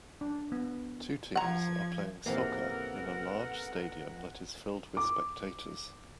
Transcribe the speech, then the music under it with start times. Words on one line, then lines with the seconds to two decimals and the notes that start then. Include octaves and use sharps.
Two teams are playing soccer in a large stadium that is filled with spectators.
0.21 D4
0.52 B3
1.36 F3 F#5 A#5 G#6
2.26 G#2 C3 E3 A#3 B3 A4 A#4 F#5
4.97 D6